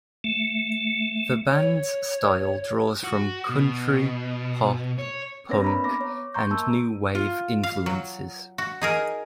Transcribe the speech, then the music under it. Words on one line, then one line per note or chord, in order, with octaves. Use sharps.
The band's style draws from country, pop, punk and new wave influences.
A3
C#5
F#4
B2
C#5
A#3 C4 D4 B4 C#5 A#6
A#5 B5
B3 D6 A#6
C#5
A#5 C6 C#6 G6
A#3 A5 E6
F4
F5
F#3
F#4
D#4 G#4 A#4